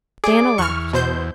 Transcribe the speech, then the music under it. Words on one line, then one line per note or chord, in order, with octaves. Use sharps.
Diana laughed.
G#4 D5 D6
E2 C#6 F6
B2 C5 G6